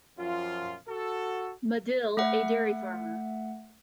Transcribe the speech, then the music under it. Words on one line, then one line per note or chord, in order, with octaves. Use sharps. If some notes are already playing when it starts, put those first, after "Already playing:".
Madill, a dairy farmer.
F#2 F3 F4
F#4 A4
A3 E5 F#5